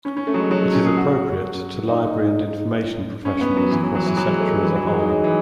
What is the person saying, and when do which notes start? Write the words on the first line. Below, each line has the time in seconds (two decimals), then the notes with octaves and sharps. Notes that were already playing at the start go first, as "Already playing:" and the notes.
It is appropriate to library and information professionals across the sector as a whole.
0.05 C#4
0.17 C#4
0.27 A3
0.34 F#3
0.40 G#3
0.51 F#3
0.62 A3
0.73 C#4
0.84 G#4
0.97 F#4
1.88 D#4
3.25 C#4
3.41 B3
3.57 F#3
3.71 E3
3.83 F#3
3.95 F#3
4.06 E3
4.17 F#3
4.29 G#3
4.40 A3
4.51 A3
4.63 E3
4.75 F#3
4.87 G#3
4.98 D#4
5.10 F#3
5.24 E3